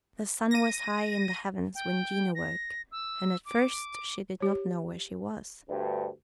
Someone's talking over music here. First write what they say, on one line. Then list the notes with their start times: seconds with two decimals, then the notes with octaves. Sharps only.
THE sun was high in the heavens when Jean awoke and at first she did not know where she was.
0.51 A#6 D#7
1.75 G5
2.35 A#6
2.92 E6
3.45 D6
4.40 G4 C#5
5.69 D2 G2